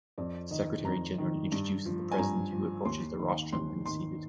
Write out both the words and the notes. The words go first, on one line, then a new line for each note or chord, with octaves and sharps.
The Secretary General introduces the President, who approaches the rostrum and is seated.
F2 D5
D#3 D#5
F2 A#5
D#3
G2
F3
G#5
G2 A#5
F3
D#2 C6
D#3
D#2 C6
D#3 C6